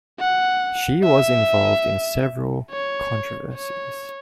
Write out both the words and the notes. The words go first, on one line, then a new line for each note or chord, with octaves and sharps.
She was involved in several controversies.
F#5
E5
C#5
C#5